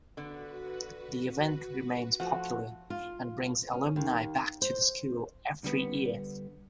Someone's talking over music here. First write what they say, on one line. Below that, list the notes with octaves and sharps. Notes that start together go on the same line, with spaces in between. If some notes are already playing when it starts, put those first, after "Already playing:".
The event remains popular and brings alumni back to the school every year.
D3 B3 F#4 B4
F3 A3 F#4 F#5
F4
C#4
D#2
C5
D3 G3 B3